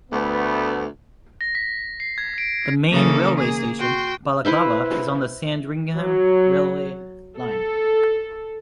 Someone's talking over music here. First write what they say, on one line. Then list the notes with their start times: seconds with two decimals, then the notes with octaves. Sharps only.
The main railway station, Balaclava, is on the Sandringham railway line.
0.12 D2 A3 B3
1.41 A#6
1.55 B6
2.00 C7
2.18 G#6
2.38 D7
2.91 C#3 E3 A#3 A4 A#4
3.36 A#3 G#4
3.78 F#4 G5 C6
4.45 E4 B4 C5 E5
5.96 F#3
7.39 A4